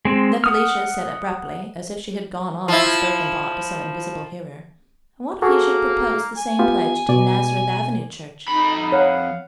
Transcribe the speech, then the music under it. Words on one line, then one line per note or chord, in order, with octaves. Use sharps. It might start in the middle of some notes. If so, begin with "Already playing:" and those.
Then Felicia said abruptly, as if she had gone on with a spoken thought to some invisible hearer: "And what if he should propose the same pledge to the Nazareth Avenue Church?"
G#3 C4
F#5 D#6 F6
F3 E4
A#3 F#4 G#4 A4
G#5
B3 F4 G4
B2 D5
F2 D#4 B5
C#5 F5 F#5